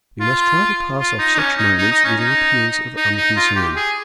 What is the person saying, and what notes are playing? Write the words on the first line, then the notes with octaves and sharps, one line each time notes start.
We must try to pass off such moments with an appearance of unconcern.
F4
F4
D#4
D#4
C#4
D#4
D#4
D#4
C#4
D#4
D#4
D#4
F4
G4
G#4